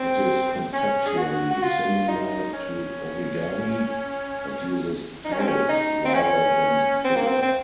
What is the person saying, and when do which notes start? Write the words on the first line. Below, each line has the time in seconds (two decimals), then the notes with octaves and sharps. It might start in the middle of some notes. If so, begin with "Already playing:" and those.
It is conceptually similar to origami, but uses towels rather than paper.
Already playing: C4
0.73 C#4
1.06 G#4
1.17 F#4
1.51 F#4
1.62 F4
2.08 D#4
2.53 C#4
5.24 D#4
5.32 C#4
5.40 C4
5.47 C#4
5.69 D#4
6.05 C4
6.14 C#4
7.05 C4
7.16 A#3
7.27 C4
7.42 C4